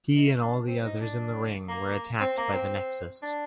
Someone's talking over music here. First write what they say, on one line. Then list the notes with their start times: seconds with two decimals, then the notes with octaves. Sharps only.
He and all the others in the ring were attacked by the Nexus.
0.15 D#4
0.41 D4
0.67 C4
0.84 D#4
1.00 D4
1.68 A#3
2.20 C4
2.37 A#3
2.53 C4
3.22 D4